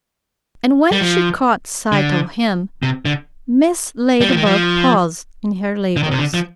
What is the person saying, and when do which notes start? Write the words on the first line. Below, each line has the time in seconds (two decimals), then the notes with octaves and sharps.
And when she caught sight of him Mrs. Ladybug paused in her labors.
0.92 G3
1.01 F3
1.92 D3
2.83 C3
3.05 D3
4.21 G3
4.29 F3
4.37 D#3
4.45 F3
5.96 D3
6.03 D#3
6.12 C3
6.19 D3
6.34 F3